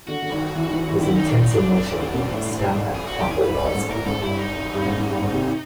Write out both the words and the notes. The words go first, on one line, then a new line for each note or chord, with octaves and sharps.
His intense emotion made him stammer and fumble while speaking.
D3 F#4
D3
D#3
E3
D#3
E3
E3
D#3
D3 E4
D#3 D#4
D4
D#4
D4
D3
B2
A2
G#4
F#4
G4
G#4
G2 B4
A4
G#2
A2 A#4
G#2 A4
G2 E4
D#4
G2
G#2
G#2
G2
G#2
C3